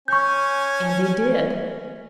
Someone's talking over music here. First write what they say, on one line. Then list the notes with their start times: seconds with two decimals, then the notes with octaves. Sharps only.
And they did.
0.08 C#4 G#5 C#6 G6